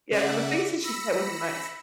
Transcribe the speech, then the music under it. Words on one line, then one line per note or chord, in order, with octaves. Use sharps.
Yeah, ‘cause the things that she said wasn't nice.
C#3 D5 E5 F#5
B5 E6 A#6 C#7